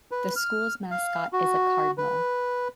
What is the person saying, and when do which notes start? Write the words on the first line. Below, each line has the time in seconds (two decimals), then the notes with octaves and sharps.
The school's mascot is a cardinal.
0.11 B4
0.36 F6
0.91 F5
1.33 F#4
1.98 B4